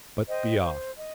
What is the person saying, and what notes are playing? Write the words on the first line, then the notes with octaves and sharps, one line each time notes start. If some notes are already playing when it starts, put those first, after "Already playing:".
But be off!
C5 D#5 G5
C5
D#5